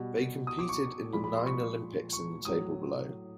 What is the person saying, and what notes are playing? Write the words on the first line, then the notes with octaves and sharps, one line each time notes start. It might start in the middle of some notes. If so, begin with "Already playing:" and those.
They competed in the nine Olympics in the table below.
Already playing: B2 G3
D#6
D6
C#6
A#2 F3 G#3 B5
B5
C6
C#6
C#6
A2 F#3 D#6